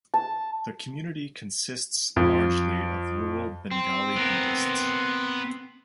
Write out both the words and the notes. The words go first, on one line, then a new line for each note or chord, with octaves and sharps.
The community consists largely of rural Bengali Buddhists.
A5
F2
C4
B3 A#4